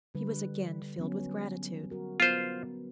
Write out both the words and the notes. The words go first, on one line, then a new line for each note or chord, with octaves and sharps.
He was again filled with gratitude.
D3 G3 B4
F#3 B3 C#4
F#4 A#4
B3 F4 C5